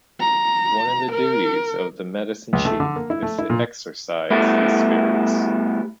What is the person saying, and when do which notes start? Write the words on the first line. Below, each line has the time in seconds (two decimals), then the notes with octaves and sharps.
One of the duties of the medicine chief is to exorcize these spirits.
0.20 A#5
1.12 A#4
2.53 C#2
2.65 A3
2.80 D3
2.96 A#3
3.10 E4
3.23 A3
3.38 E4
3.50 A#2
4.30 G3 A3 B3 E4